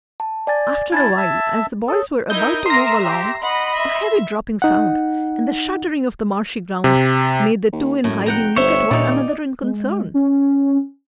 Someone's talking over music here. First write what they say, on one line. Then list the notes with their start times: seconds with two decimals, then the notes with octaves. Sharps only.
After a while, as the boys were about to move along, a heavy dropping sound, and the shuddering of the marshy ground, made the two in hiding look at one another in concern.
0.20 A5
0.47 D5 G#5 A6
0.92 C#4 E4 A5 G#6 A6
1.17 E5 A5 E6
1.88 A4 C#5 D#6
2.30 D#4 E4 A#4 D#6 G6
2.66 A#4 E5 A#5 C6 E6 A#6
3.04 G4
3.42 D#5 F#5 B5
3.76 E5
4.62 D#4 F#5
6.84 C3
7.73 D#2
8.04 F#2 A2
8.26 F1 F#5 G5 A#5
8.56 G1 C5 C#5 E5
8.91 D#2 A#2 D#4 D5
9.62 G#3
10.14 C#4